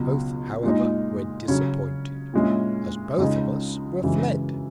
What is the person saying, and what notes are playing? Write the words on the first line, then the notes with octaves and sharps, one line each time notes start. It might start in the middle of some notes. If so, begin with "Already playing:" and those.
Both, however, were disappointed, as both of us were fled.
Already playing: C#2 B2 F#3
A#2 G#3 D#4
C#3 F#3 C#4
A#2 G#3 C#4 E4
C#2 C#3 G#3 D#4
F#2 C#3 E3 G#3